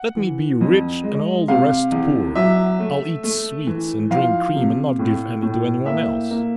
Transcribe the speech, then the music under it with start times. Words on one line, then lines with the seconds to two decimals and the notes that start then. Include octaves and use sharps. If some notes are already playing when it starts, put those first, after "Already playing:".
Let me be rich and all the rest poor, I'll eat sweets and drink cream and not give any to any one else.
Already playing: F#5
0.16 E3
0.61 F2
1.04 G#3
1.48 C3 F5
1.92 E2
2.35 F#3 E5
2.80 A3
3.24 A3
3.67 E3
4.11 F3 F5
4.55 C3
4.99 A2
5.42 A2
5.86 A#3 E5
6.31 A#3